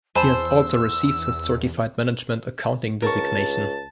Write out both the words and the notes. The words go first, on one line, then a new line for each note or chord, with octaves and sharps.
He has also received his Certified Management Accounting designation.
E2 C5 G#5 A5 B5 E6
C#2 A#4 A5 C#6